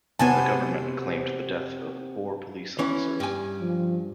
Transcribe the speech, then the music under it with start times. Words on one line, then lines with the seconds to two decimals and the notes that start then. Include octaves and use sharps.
The government claimed the death of four police officers.
0.19 C3 B3 F#4 C5 G#5 A5
2.79 E3 C#4
3.20 G2 G#5
3.62 F3